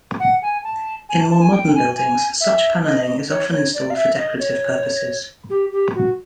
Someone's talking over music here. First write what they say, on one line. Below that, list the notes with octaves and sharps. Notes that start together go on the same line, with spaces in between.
In more modern buildings, such panelling is often installed for decorative purposes.
F#5
G#5
A5
G#5
A5
A5
G#5
G5
G#5
G#5
E5
D#5
C#5
C#5
D5
F5
E5
D#5
C#5
G4
G4
F#4